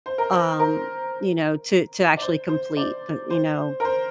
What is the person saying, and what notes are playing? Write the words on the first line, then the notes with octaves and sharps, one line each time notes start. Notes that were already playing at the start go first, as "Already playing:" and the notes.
um, you know, to to actually complete the you know
C5
A#4
C5
A#4
D5
C5
C5
D5
C5
A#4
C5